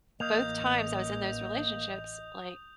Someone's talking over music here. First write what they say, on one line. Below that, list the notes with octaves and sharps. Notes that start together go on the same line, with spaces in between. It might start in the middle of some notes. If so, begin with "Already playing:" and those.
both times I was in those relationships, like,
A1 E3 A#3 D#5 D#6 G6 F7